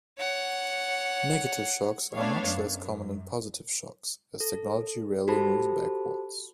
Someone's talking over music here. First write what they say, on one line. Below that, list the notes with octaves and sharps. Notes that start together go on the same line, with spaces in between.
Negative shocks are much less common than positive shocks as technology rarely moves backwards.
C#5 F#5
A3 B3 D4 C#5 F5
F#2
A4
F#4 G4 A4 C5 A5 B5